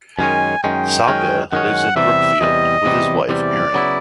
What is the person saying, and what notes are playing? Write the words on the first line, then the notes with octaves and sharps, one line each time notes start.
Salka lives in Brookfield with his wife Erin.
F#2 D#3 G#3 C#4 G#5
F#2 D#3 G#3 C#4 G5
F#2 D#3 G#3 C#4
F#2 D#3 G#3 C#4 F#5
E2 C3 E3 G3 E5
E2 C3 E3 G3 D#5
E2 C3 E3 G3
E2 C3 E3 G3 D5
C#3 F#3 B3 E4